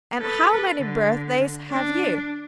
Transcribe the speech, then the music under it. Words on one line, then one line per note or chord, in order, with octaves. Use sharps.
'And how many birthdays have you?'
A4 B4
D3
D4